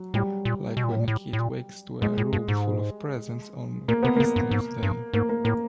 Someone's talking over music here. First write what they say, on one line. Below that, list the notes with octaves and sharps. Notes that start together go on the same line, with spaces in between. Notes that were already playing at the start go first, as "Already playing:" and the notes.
Like when a kid wakes to a room full of presents on Christmas day.
Already playing: F#3
A2 G3
A#2
B2
A#2
A2
A#2
A2
A2
A#2
G#2 G#3
A2
G2
G#2
A#2 A#3
C3 B3
C#3 A#3
G2
G#2
G2
G#2 A#3
A#3
A2 A#3